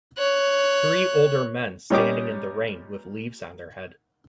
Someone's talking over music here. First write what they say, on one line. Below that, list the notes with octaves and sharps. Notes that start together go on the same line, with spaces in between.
Three older men standing in the rain with leaves on their head.
C#5 F#6
A#2 G3 C#4 G4 D#5 D6